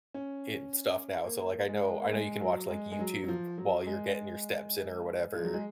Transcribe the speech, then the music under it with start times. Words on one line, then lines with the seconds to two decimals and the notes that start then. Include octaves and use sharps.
in stuff now so, like, I know I know you can watch like YouTube while you're getting your steps in or whatever.
0.14 C#4
1.24 A#3
1.68 G#3
2.01 A#3
2.12 G#3
2.41 F#3
2.70 G#3
2.92 G#3
2.99 F#3
3.24 F#3
3.28 F3
3.58 F#3
3.86 G#3
5.35 F3
5.45 F#3
5.54 G#3